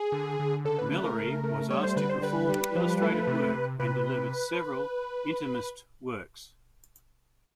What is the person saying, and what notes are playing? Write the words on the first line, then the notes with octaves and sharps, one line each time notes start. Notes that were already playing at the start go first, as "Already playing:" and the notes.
Mellery was asked to perform illustrative work and delivered several intimist works.
Already playing: G#4
D3
D3
C#3 A4
B4
A3 B4
A#4
C#3
A3
G3 C#5
C5
D3 B4
C5
G3 B4
G3
F3
A3
C3
C3
C3 B4